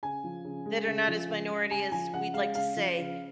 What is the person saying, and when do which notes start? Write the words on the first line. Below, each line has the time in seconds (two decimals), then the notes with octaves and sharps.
that are not as minority as we'd like to say
0.03 C#3 G#5
0.24 F3
0.45 C#3
0.66 G#3
0.87 C#3
1.08 F3
1.29 C#3
1.50 G#3
1.71 C#3 G#5
1.92 F3 G#5
2.14 C#3 F#5
2.34 G#3 F5
2.55 C#3 F5
2.77 F3
2.98 C#3